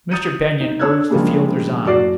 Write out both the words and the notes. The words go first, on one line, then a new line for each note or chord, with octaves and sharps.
Mr. Benyon urged the fielders on.
D#6 G6 A6 C#7 D#7
D#4
D4 C#5 E6 F#6 G#6
C#3 F3 G3 G#3 A#3 D4
F#1 F#4 D5 D6 C7